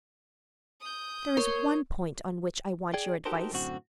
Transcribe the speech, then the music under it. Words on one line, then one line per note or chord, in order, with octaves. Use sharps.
There is one point on which I want your advice.
D#6 G6
A#4 C#5 C6
G#4 D5 G5
D#4 F#4 G4 A4 A#4 C5
F#2 A2 D3 C4 F#4